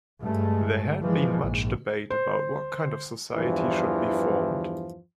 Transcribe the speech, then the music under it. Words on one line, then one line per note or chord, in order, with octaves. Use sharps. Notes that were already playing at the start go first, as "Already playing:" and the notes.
There had been much debate about what kind of society should be formed.
G2 G#3 A3
E3 F3 G#3
A#1 G#2
C5
E2 G2 E3 F3